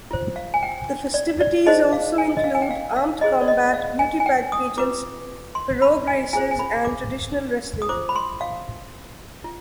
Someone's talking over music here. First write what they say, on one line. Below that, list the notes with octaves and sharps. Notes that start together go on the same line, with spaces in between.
The festivities also include armed combat, beauty pageants, pirogue races, and traditional wrestling.
F4 C5
F5
G#5
G5
D5
D5
D#4 G#4 C5 D#5
F5
G#5
D#5
F5
G#5
G5
F5
F5
F4 G#4 C5 D#5
D5
D#5
F5
G#5
G#5
G5
D#6
F4 B4 D6
C6
B5
G#5
F4 G#4 C5 G#5
G#5
B5
D6
D#6
F4 C5 D6
B5
C6
F5
F4